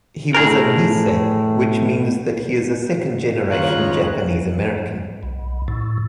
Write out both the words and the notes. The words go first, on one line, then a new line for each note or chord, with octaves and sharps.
He was a "Nisei", which means that he is a second generation Japanese American.
A2 G#4 A#4
D#2 G#2 C#3 F4 C#5 A#5 F#6
B1
A2